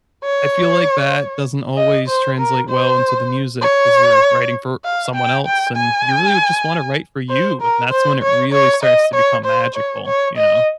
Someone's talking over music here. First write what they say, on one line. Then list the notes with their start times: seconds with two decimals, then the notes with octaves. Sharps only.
I feel like that doesn't always translate well into the music as you're writing for someone else, and you really would just wanna write for you and that's when it really starts to become magical, you know?
0.24 C#5
1.77 D#5
2.08 C5
2.38 A#4
2.69 C5
3.61 C#5
4.84 F5
5.15 G5
5.46 G5
5.76 G#5
7.30 C5
7.61 A#4
7.91 C5
8.22 C#5
8.53 C#5
8.83 D#5
9.14 C#5
9.45 C5
9.75 C#5
10.06 C#5
10.37 D#5